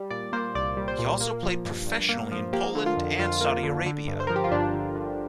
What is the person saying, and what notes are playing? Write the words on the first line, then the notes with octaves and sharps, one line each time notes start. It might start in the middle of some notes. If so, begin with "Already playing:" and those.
He also played professionally in Poland and Saudi Arabia.
Already playing: G3
A#2 D5
A#3 C5
C2 D5
G3
C5
A#2
A#3
F3
G2
G2
A#3
F3
A#3 G4
D3
F4
F2
F2 F4
A#3
D3
D3
G2
C5
F3 A#4
G4
F4
G1 D4
D3
G2